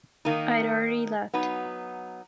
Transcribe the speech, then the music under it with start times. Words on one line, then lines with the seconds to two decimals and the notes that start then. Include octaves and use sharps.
I’d already left.
0.25 D#3 A#3 D#4
1.34 F#3 B3 D#4